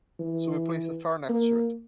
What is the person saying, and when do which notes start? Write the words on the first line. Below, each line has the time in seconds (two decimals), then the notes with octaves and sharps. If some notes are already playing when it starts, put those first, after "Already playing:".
So we place a star next to it.
0.20 E3
1.29 A#3